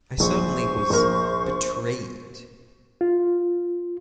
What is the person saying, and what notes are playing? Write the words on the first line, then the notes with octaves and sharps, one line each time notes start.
I certainly was betrayed.
A#1 C5 C#6
A#1 A#4
F4